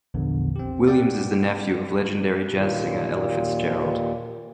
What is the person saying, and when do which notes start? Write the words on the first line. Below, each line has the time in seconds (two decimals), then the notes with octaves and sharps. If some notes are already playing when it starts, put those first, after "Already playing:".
Williams is the nephew of legendary jazz singer Ella Fitzgerald.
0.14 A#1 E2 D3
0.56 C4 G4
0.88 D5 F#5 G5
2.48 D#2 A#2